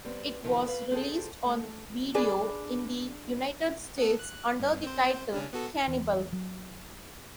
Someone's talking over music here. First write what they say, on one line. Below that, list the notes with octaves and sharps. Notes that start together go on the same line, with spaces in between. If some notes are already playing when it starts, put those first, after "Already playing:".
It was released on video in the United States under the title "Cannibal".
G3 B3 C4
C3 D#3 F3
B4 F5
C4 G#4 A4
A3
D4 G#4 B4
B3 A4
F#6
G2
C4 C5
C#3 C#4 D4
B3 F#4 A4
E2
F#3